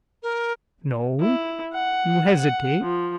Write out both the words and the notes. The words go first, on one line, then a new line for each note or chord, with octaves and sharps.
No? You hesitate?
A#4
E4
F#5
F#5
F3